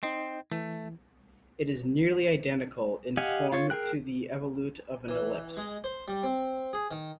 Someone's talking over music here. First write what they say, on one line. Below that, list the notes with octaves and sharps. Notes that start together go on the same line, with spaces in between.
It is nearly identical in form to the evolute of an ellipse.
C4 D#4 D#5
E3 A3
G4 D#5 F5 F#5 G#5
F4 C#5
G#4 A#4 G5 F#6
E3
G#3
C5
G3
C4
G#4
D#3